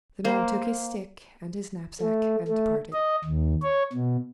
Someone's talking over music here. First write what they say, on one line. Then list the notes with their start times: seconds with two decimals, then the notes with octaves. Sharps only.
The man took his stick and his knapsack and departed.
0.24 A#3 C5
2.01 A3
2.48 A3
2.93 D#5
3.24 D#2
3.63 C#5
3.93 B2